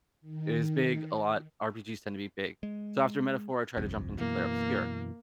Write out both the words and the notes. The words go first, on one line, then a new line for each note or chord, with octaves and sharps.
It was big, a lot RPGs tend to be big. So after Metaphor, I tried to jump into Clair Obscur,
D#3
G#3
G1 C2 F2
F#2 B2 E3 A#3